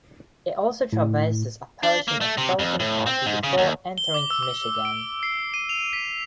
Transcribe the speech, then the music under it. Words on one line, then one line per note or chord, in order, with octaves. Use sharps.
It also traverses a portion of Fulton County before entering Michigan.
A2
D4
A#3
A3
C3
F2
A2
C4
G#2
C#3
D#2
G7
D6
E6
D6
D7
C7
D#7
F7
B6
D#7